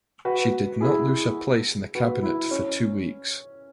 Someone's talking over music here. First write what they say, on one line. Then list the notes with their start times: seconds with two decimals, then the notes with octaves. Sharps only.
She did not lose her place in the cabinet for two weeks.
0.25 F#4 B4
0.81 E4 G#4
1.95 F#4 B4
2.22 E4
2.51 C#4